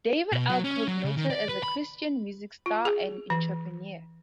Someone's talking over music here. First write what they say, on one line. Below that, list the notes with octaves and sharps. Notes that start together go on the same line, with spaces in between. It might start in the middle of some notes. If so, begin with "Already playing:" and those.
David L Cook, noted as a Christian music star and entrepreneur.
B2
F#3
C#4
F#3
C#3
D#3
D5
B4
B5
F4
G#4
E3